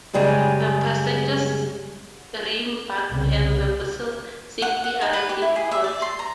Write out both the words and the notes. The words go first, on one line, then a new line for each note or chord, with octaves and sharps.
The passengers reembarked and the vessel safely arrived in port.
F#2 C#3 G3 G#3 G#5
C2 C#3
F#5
F#5
D#4
B4
G4
E4
G#4
E5
D5
C6
A#5